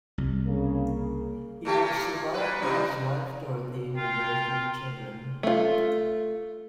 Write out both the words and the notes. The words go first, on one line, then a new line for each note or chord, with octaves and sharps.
He was survived by his wife, Dorothy, and their three children.
C2
C#3 A#3
A#2 A3 G4
A#2
A#2 B4
C3 G3 D#4
F4 A#4 G5
A3 F4